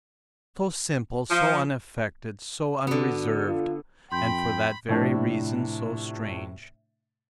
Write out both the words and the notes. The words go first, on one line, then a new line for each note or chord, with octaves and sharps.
So simple, so unaffected, so unreserved; and for that very reason so strange.
F3
D3 B3 F#4
F4
F2 G5 B5 C6 G6
A2 C3 F3 A3 D4 E4